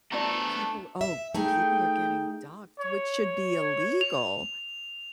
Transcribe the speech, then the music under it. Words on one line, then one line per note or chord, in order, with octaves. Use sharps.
people Oh, people are getting doxxed, which should be illegal,
A3 B3 D4 F#4 A4 C5 D5 A#5
E5
A3 D#4 G#4 G5
C#5
F7